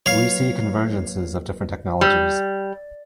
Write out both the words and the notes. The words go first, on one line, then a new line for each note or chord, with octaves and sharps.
We see convergences of different technologies.
F#3 A#3 B4 C#5 F5
G3